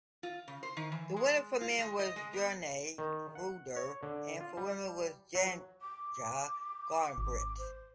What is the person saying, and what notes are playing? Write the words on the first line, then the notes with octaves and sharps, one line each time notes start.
The winner for men was Jernej Kruder and for women was Janja Garnbret.
F4
C#3
C5
D#3
E3
G#3
F4
G#3
D#5
G#3
B3
D#3
F#5
C#5
D3
F4
G3
F#3
D6
G#1
C5